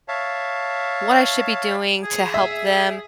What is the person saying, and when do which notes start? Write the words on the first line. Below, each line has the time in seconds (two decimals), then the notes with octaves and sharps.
what I should be doing to help them
0.08 C#5 E5 F5 A5
2.03 G#4
2.34 E5